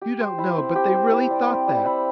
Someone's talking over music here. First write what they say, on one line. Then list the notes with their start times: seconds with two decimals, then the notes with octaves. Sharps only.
You don't know, but they really thought that.
0.02 G4
0.20 C5
0.38 E4
0.56 C4
0.75 G4
0.94 C5
1.12 E4
1.30 G3
1.49 C4
1.67 G3
1.86 E4